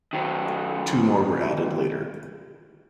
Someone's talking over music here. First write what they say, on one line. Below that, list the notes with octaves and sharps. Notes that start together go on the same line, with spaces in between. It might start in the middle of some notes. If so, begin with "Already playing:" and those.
Two more were added later.
D#3 F#3